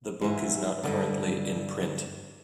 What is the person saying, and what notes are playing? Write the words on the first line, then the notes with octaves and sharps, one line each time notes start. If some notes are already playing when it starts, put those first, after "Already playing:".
The book is not currently in print.
G#2 E3
G2 D3